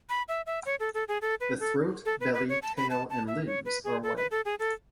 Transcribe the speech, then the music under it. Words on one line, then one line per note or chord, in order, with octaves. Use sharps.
The throat, belly, tail and limbs are white.
B5
E5
E5
C#5
A4
A4
G#4
A4
B4
A4
A4
B4
B4
C#5
A5
B5
A5
A5
E5
C#5
B4
G#4
A4
B4
A4
G#4
A4